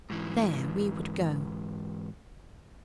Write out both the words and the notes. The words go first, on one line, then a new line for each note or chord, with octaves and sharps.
There we would go.
G#2 E3